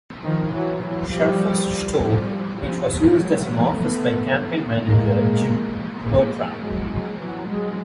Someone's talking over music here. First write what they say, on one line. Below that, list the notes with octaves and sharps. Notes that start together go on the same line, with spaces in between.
Shaefer's store which was used as an office by campaign manager Jim Buttram.
D#3 F3
E3 F#3
E3 F#3
F3 G3
F3 G3
F3 G3
F#3 G#3
A3 B3
G#3 A#3
G#3 A#3
F#3 G#3
F#3 G#3
E3 F#3
F#3 G#3